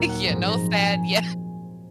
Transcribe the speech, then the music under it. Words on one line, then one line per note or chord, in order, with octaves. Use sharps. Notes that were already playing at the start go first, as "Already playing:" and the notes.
Yeah, no sad. Yeah
Already playing: D#2 A#2 D#3 F#3 A#3 A#5
F#5
G#2 F3 G#3 C4
A#5
G#5